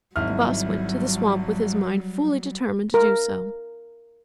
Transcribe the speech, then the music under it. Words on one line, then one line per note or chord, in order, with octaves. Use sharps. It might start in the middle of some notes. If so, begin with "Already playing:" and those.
The Boss went to the swamp with his mind fully determined to do so.
G#1 F#3 G3 E4 F6
A#4